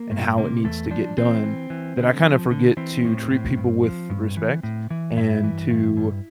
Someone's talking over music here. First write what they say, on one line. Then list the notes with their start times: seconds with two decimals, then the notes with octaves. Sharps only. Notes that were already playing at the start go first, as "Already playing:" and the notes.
and how it needs to get done, that I kind of forget to treat people with respect, and to
Already playing: A#3
0.11 G2
0.38 C3 A#3
0.64 E2 A3
0.91 F3 D4
1.17 E3 C4
1.44 E3
1.70 E3
1.97 D3
2.23 F3
2.51 D3
2.77 E3 C4
3.04 A2
3.31 A2
3.57 G2
3.84 F3
4.10 G2
4.37 E3
4.63 A2
4.90 E3
5.16 G2 E4
5.44 E3
5.70 G2
5.97 G2